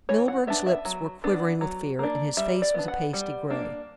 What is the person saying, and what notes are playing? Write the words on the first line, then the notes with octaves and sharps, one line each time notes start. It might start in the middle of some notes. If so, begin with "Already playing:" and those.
Milburgh's lips were quivering with fear and his face was a pasty grey.
E3 C#5
F#5
B3 D4 E5
E5
F#3
B3 D4
F#3
A#3 D4
G3 E5
D5
B3 D4
F#5
G3
A#3 D4